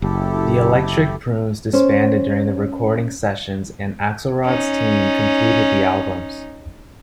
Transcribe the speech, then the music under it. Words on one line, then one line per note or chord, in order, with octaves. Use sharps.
The Electric Prunes disbanded during the recording sessions and Axelrod's team completed the albums.
F#1 E4 G4 A4
C#4 C5
C#4 D#4